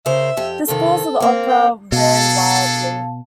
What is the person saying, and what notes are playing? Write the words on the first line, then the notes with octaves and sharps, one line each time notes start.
The scores of the opera vary wildly.
C#3 A#4 C5 E5
F2 G4
F2 C3 D#3 A4
A#3 C4
G5
B2 D4 G#4 A4 F5 A5